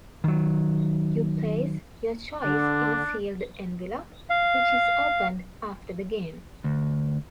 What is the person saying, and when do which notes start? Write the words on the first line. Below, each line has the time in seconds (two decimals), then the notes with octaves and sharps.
You place your choice in a sealed envelope, which is opened after the game.
0.24 D#3 F#3
2.43 D3 D4
4.30 F5
6.64 D2